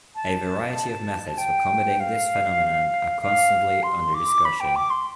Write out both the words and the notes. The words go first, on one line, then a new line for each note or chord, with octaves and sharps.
A variety of methods for combating this phenomenon are constantly under discussion.
A5
G5
F5
F5
C6
D6
B5
G5
D6
C6